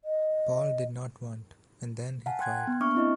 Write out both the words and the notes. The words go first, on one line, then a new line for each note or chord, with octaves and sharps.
Paul did not want and then he cried.
D#5
F5 F#5 G#5 A5
G5 C6 F#6 G#6
B3
A#3 D4 E5 C#6 D6 F6
C4 E4 D#5